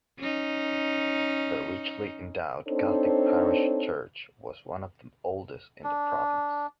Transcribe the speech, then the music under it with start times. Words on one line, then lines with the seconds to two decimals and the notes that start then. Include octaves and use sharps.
The richly endowed Gothic parish church was one of the oldest in the province.
0.19 C#4 D#4
2.67 C4 D4 D#4 A4 C5 C#5
5.84 D4